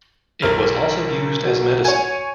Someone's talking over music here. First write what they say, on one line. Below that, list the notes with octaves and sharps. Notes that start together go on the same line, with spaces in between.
It was also used as medicine.
B1 A#4 F6
F#4
C#5 G#5